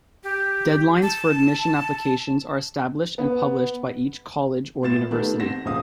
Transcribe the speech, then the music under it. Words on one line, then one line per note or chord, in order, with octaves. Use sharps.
Deadlines for admission applications are established and published by each college or university.
G4
A5
B3
A2 B3 F4 A6 E7
D#3 A3 B3 G4 A4 B4
C4 F#5 A#6 E7
D#1 C#2 F3 C5 F5 D#6